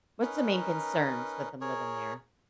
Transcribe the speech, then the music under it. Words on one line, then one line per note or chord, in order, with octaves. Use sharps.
What's the main concerns with them living there?
C#4 D#4 A#4 B4
G#4 A#4 C#5